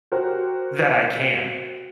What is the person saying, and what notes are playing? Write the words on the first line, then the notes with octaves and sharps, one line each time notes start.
that I can."
F#4 G4 A#4 C5